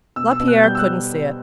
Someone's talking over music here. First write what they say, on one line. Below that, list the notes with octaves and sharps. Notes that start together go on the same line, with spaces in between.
Lapierre couldn't see it.
B2 E6
E6
B2
F#6
G3 G6
E6
F#6